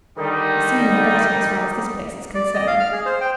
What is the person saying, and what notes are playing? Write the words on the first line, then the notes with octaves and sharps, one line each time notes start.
"The sooner the better as far as this place is concerned."
D3 D#3 G3 D#4
D5
D#5
F5
F6
G#4
C5
G5